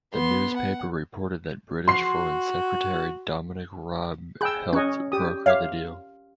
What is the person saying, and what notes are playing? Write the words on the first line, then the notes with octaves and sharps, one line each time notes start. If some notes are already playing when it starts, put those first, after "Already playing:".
The newspaper reported that British Foreign Secretary Dominic Raab "helped broker the deal".
B3 C6
F#5
F#4 C6 C7
G#4 G5 B5 E6 F#6
C#4 C#5 D#5 F#6
G4 D#6
C#5 E5 F5 D6